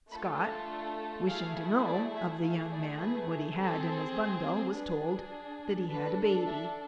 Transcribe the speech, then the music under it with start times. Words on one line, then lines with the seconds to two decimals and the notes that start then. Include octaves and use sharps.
Scott, wishing to know of the young man what he had in his bundle, was told that he had a baby.
0.12 A3 D4 F4 A4 B5
0.41 A5
1.27 A3 E4 G#4 F5
1.86 D5
2.14 E5
2.42 A3 E4 G#4 F5
2.72 D5
3.00 B4
3.58 C4 G#4 A4
4.73 D4 G#4 B4
5.89 D4 A4 B4
6.47 E5